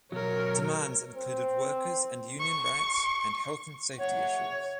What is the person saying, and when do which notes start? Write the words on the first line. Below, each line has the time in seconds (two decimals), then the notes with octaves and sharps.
Demands included workers and union rights and health and safety issues.
0.12 B1 F#3 A#4 C#5
1.15 C4 C5
2.40 C#6
3.98 F#1 C#5 E5 F#5